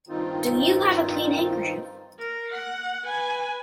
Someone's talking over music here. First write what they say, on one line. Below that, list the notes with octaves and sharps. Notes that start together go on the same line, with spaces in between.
Do you have a clean handkerchief?
G2 D#3 C4 D#4 F4
A#4
F#5
B4 G#5